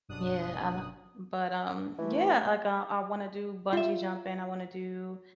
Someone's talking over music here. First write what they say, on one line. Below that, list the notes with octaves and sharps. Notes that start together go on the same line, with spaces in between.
Yeah, I lo but, um, yeah, like, I I wanna do bungee jumping, I wanna do
G1 F#2 B2 D4 D#6 F#6
E3 A3
F4 E5